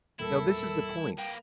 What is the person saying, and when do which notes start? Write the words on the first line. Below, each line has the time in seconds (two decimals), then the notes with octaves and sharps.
Now this is the point.
0.19 E1 E2 A#2 G3 E4 A4 A#4 A5
1.18 A#3 B4 G5